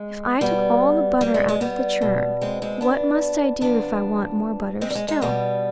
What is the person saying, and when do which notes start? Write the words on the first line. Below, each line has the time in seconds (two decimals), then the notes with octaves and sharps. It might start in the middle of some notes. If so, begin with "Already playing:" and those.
If I took all the butter out of the churn, what must I do if I want more butter still?
Already playing: G#3
0.41 B2 G3 B3
1.21 G3
1.34 G#3
1.48 G#3
1.61 G3 B3
2.01 B2
2.41 G#3 C4
2.62 G#3 C4
2.81 B3 D4
3.61 C3 F3 B3 D4
4.81 G#3 C4
4.90 G3
4.95 G#3
5.08 G#3
5.21 B2 G3 B3